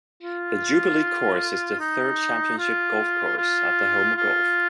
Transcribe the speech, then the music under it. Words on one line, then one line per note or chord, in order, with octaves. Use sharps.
The Jubilee Course is the third championship golf course at the Home of Golf.
F4
D#4
F4
F4
F4